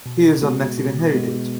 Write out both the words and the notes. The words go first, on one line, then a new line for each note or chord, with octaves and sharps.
He is of Mexican heritage.
B2
G#3 B3 F#4
B2
G#3 B3 F#4